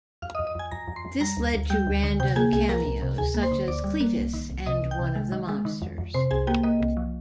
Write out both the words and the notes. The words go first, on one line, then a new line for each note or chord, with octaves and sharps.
This led to random cameos such as Cletus and one of the mobsters.
F2 F5 F6
D#5 D#6
F2
D#5 D#6
F2 G#5 G#6
F2 A#5 A#6
F2
C6 C7
F2
G3 A#5 A#6
D2
D2
G3 G5 G6
D2
D3
C3 G5 G6
A#3 G#4 G#5
C2 G#4 G#5
F3 A#4 A#5
C2
C3
D2 G#4 G#5
A#3
C5 C6
D3
D2 D5 D6
G3
A#3
C2
D#3
C2
C3 D#5 D#6
C2
G5 G6
C3
G#3
D#3
G#3
D#3
F2
F2
C3 C5 C6
C2 G#4 G#5
A#3 G4 G5
A#3 D#5
C2
F3